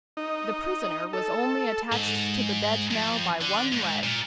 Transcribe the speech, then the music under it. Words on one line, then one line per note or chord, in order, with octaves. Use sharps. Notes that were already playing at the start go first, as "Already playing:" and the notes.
The prisoner was only attached to the bed now by one leg.
D#4
A4
G#2
F2
D3
G#2
A#2